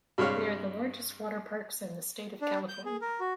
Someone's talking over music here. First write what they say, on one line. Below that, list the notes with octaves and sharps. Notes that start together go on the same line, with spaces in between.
They are the largest water parks in the state of California.
G2 C3 G#3 C#5 F5
D4
G6
G#4
A#4
F#4